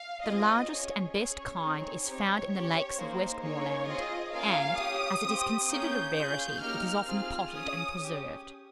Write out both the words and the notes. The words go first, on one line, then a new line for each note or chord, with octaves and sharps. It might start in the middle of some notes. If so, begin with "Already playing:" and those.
The largest and best kind is found in the lakes of Westmoreland, and, as it is considered a rarity, it is often potted and preserved.
Already playing: F5
C4 F4 G#4 D#5
C#4 G#4 C#5
C#4 G#4 C#5
C4 D#4 G#4
C4 D#4 G4 C#5
C#4 G4 C#5
A#3 D#4 G#4 C5
A#3 D#4 G#4 C#5
C4 F4 G#4 D#5
A#3 C#4 F4 G#4 F5
C#4 G4 D#6
C4 G4
A#3 C#4 G#4 G6
C#4 F4 G#4 G6
A#3 D#4 G4 F6
C4 F4 G#4 F6
C#4 G#4 D#6
C#4 G4